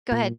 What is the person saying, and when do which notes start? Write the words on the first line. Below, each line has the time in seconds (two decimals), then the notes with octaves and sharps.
Go ahead.
0.12 A#2